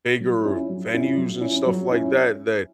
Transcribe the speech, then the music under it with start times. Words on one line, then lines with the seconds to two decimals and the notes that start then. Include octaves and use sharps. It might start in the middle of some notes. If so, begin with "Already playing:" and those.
bigger venues and stuff like that that
0.20 F#3
0.45 C#4 E4
0.70 F#3
0.93 C#4 E4
1.17 F#3
1.41 C#4 E4
1.66 F#3
1.91 C#4 E4